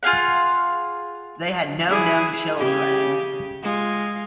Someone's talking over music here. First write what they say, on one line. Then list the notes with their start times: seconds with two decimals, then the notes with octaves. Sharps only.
They had no known children.
0.03 F4 G#4 F5 F#5
1.88 E4 G#4
2.57 C#3 G4
3.63 G#3 F4